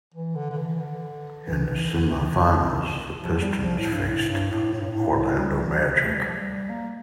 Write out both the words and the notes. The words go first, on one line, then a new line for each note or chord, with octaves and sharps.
In the semifinals, the Pistons faced the Orlando Magic.
E3
D3
D3
E3
D3
E3
E3
D3
E3
F3
G3
F3
A2
G2
A2
G2
A2
A2
G2
A2
G3
E3
C3
A3
G3
F3
G3
A#3